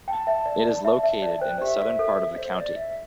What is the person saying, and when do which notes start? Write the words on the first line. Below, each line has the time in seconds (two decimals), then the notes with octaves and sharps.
It is located in the southern part of the county.
0.08 G5 A5
0.27 E5
0.46 D5
0.65 D5
0.84 E5 A5
1.03 E5
1.10 A5
1.22 D5
1.36 A5
1.40 C5 G5
1.61 G4 E5
1.99 A4
2.38 C5
2.57 D5
2.76 E5